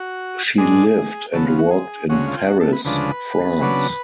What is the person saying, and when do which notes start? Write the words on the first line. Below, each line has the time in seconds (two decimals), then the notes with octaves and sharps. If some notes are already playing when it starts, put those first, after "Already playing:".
She lived and worked in Paris, France.
Already playing: F#4
0.58 G#2 G#3 D4 G#4
1.33 C#3 F#3 B3 A4
1.46 F4
1.59 F#4
1.71 G#4
2.09 D2 C#3 G#3 C#4 F#4
2.28 F4
2.46 F#4
2.60 A4
2.72 B4
2.85 D2 C#3 F3 G#3 D4 B4
3.61 C#3 F#3 B3 D4